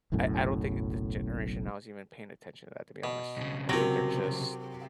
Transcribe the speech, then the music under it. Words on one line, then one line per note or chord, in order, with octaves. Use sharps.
I I don't think that this generation now is even paying attention to that, to be honest, I think they're just
F#1 B1 F#2 A2
B2
B1 C#3
C3 F#3 F#4 A#4 A#6